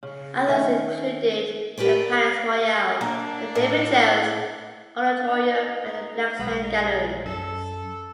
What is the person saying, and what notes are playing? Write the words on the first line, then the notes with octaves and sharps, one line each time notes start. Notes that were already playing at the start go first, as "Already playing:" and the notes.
Others included the Palais Royale, the David Jones Auditorium and the Blaxland Galleries.
C#3
D#3 A3 C#4
G4 A#4 B4 D5
A#3 D4
A2
D#4
B1 G#3 B3
D#4
F#2 A4